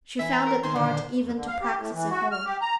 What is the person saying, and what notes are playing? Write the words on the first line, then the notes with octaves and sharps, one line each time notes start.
She found it hard even to practice at home.
E3 E4 E5
A#5
A#4
D#3 C5 G#5 C6
A#2 D3
F2
D3
F5
G4
A2
E3
F#4
F6
G4
A#5